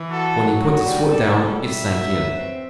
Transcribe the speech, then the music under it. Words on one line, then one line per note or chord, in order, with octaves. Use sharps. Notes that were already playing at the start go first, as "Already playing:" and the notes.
When he put his foot down it sank in.
Already playing: E3
F#4 A4
F#3
F#4
G3
A4 D5
G3
F#2 E5
F#3
B4
C4